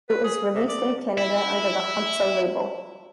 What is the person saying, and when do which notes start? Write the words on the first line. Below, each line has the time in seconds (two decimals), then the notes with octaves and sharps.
It was released in Canada under the Hansa label.
0.09 B4
0.24 G#4
0.55 C3
0.68 D5
1.18 E4 E5